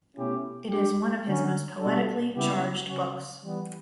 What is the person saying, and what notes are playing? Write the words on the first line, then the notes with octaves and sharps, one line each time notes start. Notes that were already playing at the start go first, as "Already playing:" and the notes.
It is one of his most poetically charged books.
B2 A3 C#4 E4 G4
G3 D4 G4
D3 F#3 C#4
B2 G3 D4 F#4 A4
C#3 G3 B3 E4 G4
C#3 F#3 C#4 F#4
E3 G3 B3